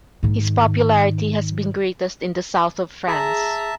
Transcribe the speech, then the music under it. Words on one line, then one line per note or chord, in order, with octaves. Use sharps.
His popularity has been greatest in the south of France.
G#2 D#3
G#4 E5 A5 A#5